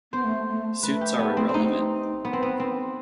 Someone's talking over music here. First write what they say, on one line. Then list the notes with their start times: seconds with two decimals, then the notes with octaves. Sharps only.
Suits are irrelevant.
0.12 B3 C5
0.25 A3
0.50 A3
0.83 A3 B4
1.01 G4
1.19 B3
1.37 C4
1.49 C4
1.54 D#4
2.25 B3
2.33 C4
2.43 B3
2.60 C4